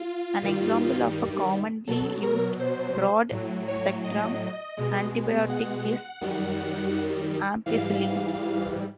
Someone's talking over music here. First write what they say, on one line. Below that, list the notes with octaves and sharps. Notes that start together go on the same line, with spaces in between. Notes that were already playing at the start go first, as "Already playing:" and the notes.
An example of a commonly used broad-spectrum antibiotic is ampicillin.
Already playing: F4
G2 D#3 G3
B2 F#3 A4
A#4
C5
A2 F#3
C#5
D#5
B2 G#3
F#5
F#2 D#3 G3
G#2 E3 G3 F5